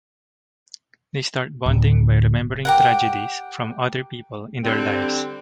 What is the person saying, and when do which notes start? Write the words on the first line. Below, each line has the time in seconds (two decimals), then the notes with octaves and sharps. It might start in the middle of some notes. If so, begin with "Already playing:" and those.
They start bonding by remembering tragedies from other people in their lives.
1.66 D1
2.65 G4 A#4 F#5
4.64 D3 G3 C4